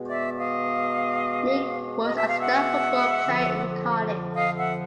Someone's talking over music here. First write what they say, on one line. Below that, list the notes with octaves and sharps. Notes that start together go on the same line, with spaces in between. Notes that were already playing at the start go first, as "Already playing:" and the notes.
Meek was a star football player in college.
Already playing: B2 G#3 B3
D5 E5
D#5 F5
D#5
E5
F5
E5 F#5
F2 D3 F3
D#5 F5
E5 F#5